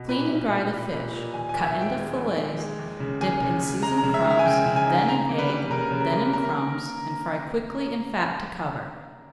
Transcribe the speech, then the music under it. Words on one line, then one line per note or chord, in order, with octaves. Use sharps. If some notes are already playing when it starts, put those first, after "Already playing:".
Clean and dry the fish, cut into fillets, dip in seasoned crumbs, then in egg, then in crumbs, and fry quickly in fat to cover.
Already playing: B2
A#2 B4
G3
G3
G3
A#2
A#2
D#2 G#5
G#5
D#2
E5
D#2
G5
G#3
D#2
D#2
G#3
D#2
C#3
D#2 G#5
C#3
C#3
G#3 A#5
A#5
C#3
E5
G#3
E5
G#5
C#3 G5
C#3
G#5
D#4
C#3 A#5
A#3
B4
G3
C#3 A#4
C#3
A#4
A#3
A#4